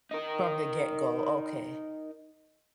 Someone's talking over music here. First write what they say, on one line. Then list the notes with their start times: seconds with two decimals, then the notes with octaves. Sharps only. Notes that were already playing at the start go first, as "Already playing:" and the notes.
From the get-go, okay.
0.11 D#4 A#4